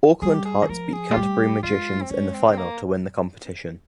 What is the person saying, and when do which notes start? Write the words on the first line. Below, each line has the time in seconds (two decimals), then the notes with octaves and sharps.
Auckland Hearts beat Canterbury Magicians in the final to win the competition.
0.22 G3 G#4
0.34 G4
0.45 G#4
0.62 D#3
0.69 F3 A#4
0.93 G#4
1.11 G#3 F4
1.16 G3 G4
1.63 G#3 F4
2.02 C4
2.10 G#3 C#4
2.34 C4
2.52 C4
2.58 A#3